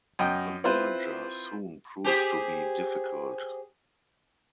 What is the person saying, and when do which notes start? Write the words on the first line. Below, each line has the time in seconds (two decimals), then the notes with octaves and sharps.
The merger soon proved to be difficult.
0.19 F#2 D#5 G5
0.64 C4 E4 F4 B4 C5
2.04 G4 G#4 C5